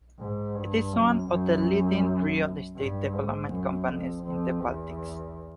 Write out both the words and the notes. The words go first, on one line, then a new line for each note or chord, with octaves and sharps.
It is one of the leading real estate development companies in the Baltics.
G#2
G2
F#2
F#2
G2
G#2
F#2
F2
F2
E2